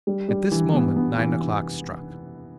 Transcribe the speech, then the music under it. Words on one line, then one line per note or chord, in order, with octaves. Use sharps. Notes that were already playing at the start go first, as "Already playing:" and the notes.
At this moment nine o'clock struck.
G3
G3
E3
B3
B3
E3